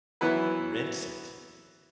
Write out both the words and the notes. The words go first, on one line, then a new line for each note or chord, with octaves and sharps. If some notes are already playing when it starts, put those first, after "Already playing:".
Rinse it?
E3 F#3 B3 E4 B4